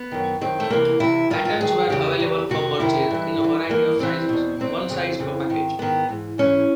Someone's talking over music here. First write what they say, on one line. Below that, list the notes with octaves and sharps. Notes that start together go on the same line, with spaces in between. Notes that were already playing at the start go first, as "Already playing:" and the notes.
Patterns were available for purchase in a variety of sizes, one size per package.
Already playing: B3
F#2 D#3
F#2 D#3 C4
A3
D2 C3 E3 A#3
D2 C3 E3 E4
G2 D#3 F4
F4
G2 D#3 G#4
E2 C#3 E3 G4
E2 C#3 E3
F2 C3 D#3 F#4
F2 C3 D#3 E4
G2 E3
G2 E3
G2 E3 A#3
G2 E3 C4
E2 B2
E2 B2 C4
F2 C#3 E3
F2 C#3 E3
G#2 D#3
G#2 D#3 B3
G#2 E3
G#2 E3 C#4